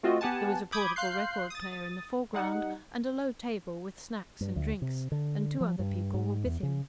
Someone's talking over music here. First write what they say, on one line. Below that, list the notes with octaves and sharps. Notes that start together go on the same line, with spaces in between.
There was a portable record player in the foreground and a low table with snacks and drinks, and two other people were with him.
A3 C4 F4 F#4 D#5
B3 G4 F#5 G#5 A5
B5 D6 D#6 G6 G#6
F5 C6 F#6 G6 C7
D#6 A6
G3 D#4 F#5
G2
D2
C3
D3
F3
G2
G#2
E2
C#3